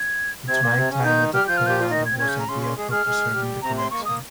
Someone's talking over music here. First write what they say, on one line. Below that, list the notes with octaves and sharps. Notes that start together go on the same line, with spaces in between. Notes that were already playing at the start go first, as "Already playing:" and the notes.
The dry climate of Colorado was ideal for preserving the collections.
Already playing: G#6
C3 C4 G#6
A#3
C3 C4
C#3 C#4
D#3 D#4 G6
G3 G4 F6
F3 F4 G6
F6
G4 G6
F4
D#3 D#4 A#6
G#6
C4
C#3 C#4 G#6
G6
A#5
C#3 C#4 C6
C6
G#3 G#4
G#3 G#4 F6
G#3 G#4
G3 G4
C3 C4 A#5
C6
A#3 C#6
G#3
A#3 D#6